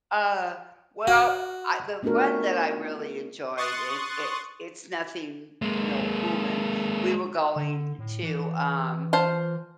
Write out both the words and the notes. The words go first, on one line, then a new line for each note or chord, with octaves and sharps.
Uh, well, I the one that I really enjoyed, and it it's nothing, no booming, we were going to, um,
F#4
A3 B3 D4 F4 F#4 A#4
C6 C#6 D#6 F#6 A6
G#3 A#3
D3
A2
E3
F4 C5 A5